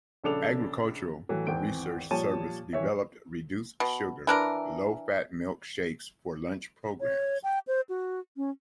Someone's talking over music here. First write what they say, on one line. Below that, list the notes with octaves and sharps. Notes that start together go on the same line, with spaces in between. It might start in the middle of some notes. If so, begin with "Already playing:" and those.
Agricultural Research Service developed reduced-sugar, low-fat milk shakes for lunch programs.
A#1 C#3 D4 A4 D6 F7
A2 E3 F#3 A3
G#1 E2 E3 C4 G5 D7
A#2 F3 G3 C#5 A5 D#7
D#1 E3 C#5 E5
B2
E3 D4 A#4
C#5
G5
C5
F#4
C#4